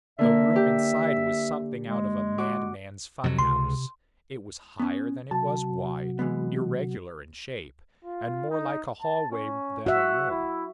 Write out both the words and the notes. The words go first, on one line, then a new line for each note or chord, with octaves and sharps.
The room inside was something out of a madman's funhouse. It was higher than it was wide, irregular in shape, and more like a hallway than a room.
D3 A#3 A#4 E5
G4
G#3
F#4 D6
F2 C3 F#3
C#2 C6
B3 C#4
C3 F#3 F#4 A5
E3 G#3 B3
F4
D#4
A5
C#4
F#4 E5 F#5
E4